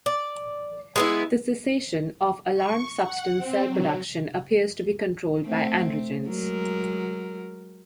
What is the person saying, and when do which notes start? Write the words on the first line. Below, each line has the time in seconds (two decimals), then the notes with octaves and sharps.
The cessation of alarm substance cell production appears to be controlled by androgens.
0.06 D5
0.96 G#3 B3 E4
2.55 C#6
3.03 F#5
3.36 C4
3.67 F#3
5.43 A3 C4
6.27 F#3 G#3 A#4